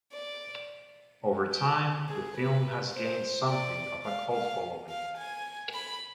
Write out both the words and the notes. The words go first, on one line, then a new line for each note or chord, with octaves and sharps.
Over time, the film has gained something of a cult following.
D5
G4
G#4
B4
C5
D5
F5
F5
F5
G#5
B5